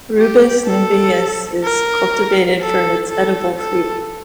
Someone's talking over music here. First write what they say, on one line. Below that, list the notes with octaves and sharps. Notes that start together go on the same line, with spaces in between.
"Rubus niveus" is cultivated for its edible fruit.
G4
A4
A#4
A4
A4
A4